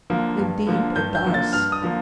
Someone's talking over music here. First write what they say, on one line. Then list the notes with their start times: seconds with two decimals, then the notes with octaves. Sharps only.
"Indeed it does."
0.10 D3 F3 A#3
0.38 G2
0.67 D3 F3 A#3
0.96 G2 G6
1.15 G6
1.24 D3 F3 A#3
1.34 A6
1.53 G2 F6
1.72 D#6
1.82 D3 F3 A#3